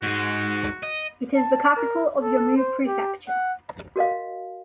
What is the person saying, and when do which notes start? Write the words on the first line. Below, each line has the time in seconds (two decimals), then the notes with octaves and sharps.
It is the capital of Yomou Prefecture.
0.02 G#2 G#3 F#4
0.83 D#5
1.36 A5
1.76 A#4
2.20 A4
2.56 C5
2.86 G4
3.28 F#5
3.96 F#4 A#4 D#5 F5